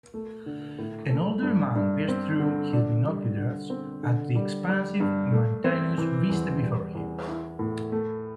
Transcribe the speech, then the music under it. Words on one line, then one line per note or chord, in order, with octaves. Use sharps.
An older man peers through his binoculars at the expansive, mountainous vista before him.
A3
D3
A2
A3
G2
G2
C4
D3
D4
G3
D3
C4
D3
G3
G3
G2
A3
C4
E3
E2
G3
E2
E4
A2
A3